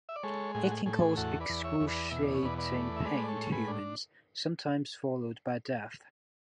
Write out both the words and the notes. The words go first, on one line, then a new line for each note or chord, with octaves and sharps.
It can cause excruciating pain to humans, sometimes followed by death.
E5
D5
G#3 A4 C#5
A2 G#4
F#4
G#4
A2 G#4
A4
G#4
E2 F#4 A4
B4 D5
E2
C#5 E5
E2
B4 D5
B2 E5
D5
C#5
E2 B4 D5
B4 D5
A3
E5
G#3 B4 D5
D5
A4 C#5
A2
G#4 B4
D4